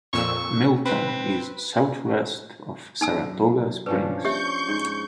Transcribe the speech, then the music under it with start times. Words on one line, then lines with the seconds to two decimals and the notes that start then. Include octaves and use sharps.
Milton is southwest of Saratoga Springs.
0.13 F2 A#2 C#6 E6
0.86 C4 B4
3.01 F#2 D#4 G#5 E6
3.86 G2 F3 C#4 D4 B4
4.25 G4 C#5 E5 C#6 G6
4.68 G#2